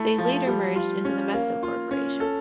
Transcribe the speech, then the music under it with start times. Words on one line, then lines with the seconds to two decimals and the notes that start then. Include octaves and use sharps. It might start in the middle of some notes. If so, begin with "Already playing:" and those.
They later merged into the Metso Corporation.
Already playing: A3 E4
0.18 F3
0.47 G3
0.76 F4
1.05 C#4
1.34 A#3
1.63 F4
1.91 C#4
2.20 A4